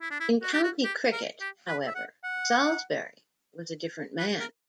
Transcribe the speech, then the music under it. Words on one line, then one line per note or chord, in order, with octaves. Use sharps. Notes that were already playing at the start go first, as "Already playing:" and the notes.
In county cricket, however, Salisbury was a different man.
E4
D4
E4
F#4
G4
F#4
G4
A#4
G4
B4
E5
F#5
F#5
B4
A#4